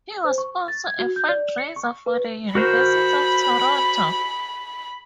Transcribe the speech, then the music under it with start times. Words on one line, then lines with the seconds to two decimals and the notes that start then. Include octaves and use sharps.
He was also a fundraiser for the University of Toronto.
0.25 C5
0.38 C#6
0.68 A6
0.86 G#6
0.99 F#4
1.16 G6
1.29 D5
1.58 C#7
1.76 C#6
2.06 B4
2.55 F#4 A#4 C5 B5